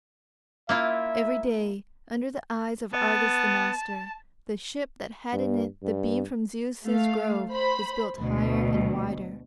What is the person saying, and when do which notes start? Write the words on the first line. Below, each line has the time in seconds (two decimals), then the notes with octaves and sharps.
Every day, under the eyes of Argus the master, the ship that had in it the beam from Zeus's grove was built higher and wider.
0.69 A#3 E4 F4 E5
2.93 B3 A5
5.33 G2
5.83 G2
6.85 A3 F5
7.51 C5 B5
8.18 D2 B2